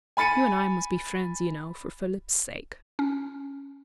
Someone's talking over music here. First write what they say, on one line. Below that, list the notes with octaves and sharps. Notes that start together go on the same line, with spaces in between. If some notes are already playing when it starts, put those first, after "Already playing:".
"You and I must be friends, you know, for Philip's sake."
G#5 B5 A6 C#7 D#7
C#4